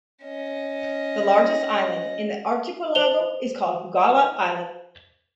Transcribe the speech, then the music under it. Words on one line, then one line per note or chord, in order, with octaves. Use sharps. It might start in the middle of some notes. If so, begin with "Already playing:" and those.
The largest island in the archipelago is called Bugala Island.
C#4 D#5
C5 F7 G7